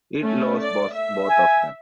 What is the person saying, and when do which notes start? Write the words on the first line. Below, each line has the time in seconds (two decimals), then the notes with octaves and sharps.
It lost both of them.
0.21 A3 C#4
0.61 D5
0.94 E5
1.29 G#5